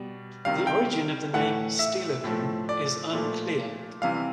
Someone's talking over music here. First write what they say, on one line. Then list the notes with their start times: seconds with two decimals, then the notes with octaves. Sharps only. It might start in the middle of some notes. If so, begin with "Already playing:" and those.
The origin of the name "Steilacoom" is unclear.
Already playing: B2 G3
0.45 C3 D#3 G3 F5
0.67 G5
1.34 A2 E3 A3 F#5
1.79 E5
2.24 A2 F3 A3
2.69 D5
3.13 A#2 F3 A3
4.02 C3 E3 G3 F5